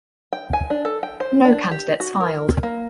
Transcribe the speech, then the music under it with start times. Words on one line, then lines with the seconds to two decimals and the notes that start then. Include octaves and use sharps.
No candidates filed.
0.33 G5
0.53 G#5
0.70 D4
0.85 A4
1.03 G5
1.20 C5
1.45 D4
1.71 G4
2.00 F#4
2.20 A#4
2.63 A#3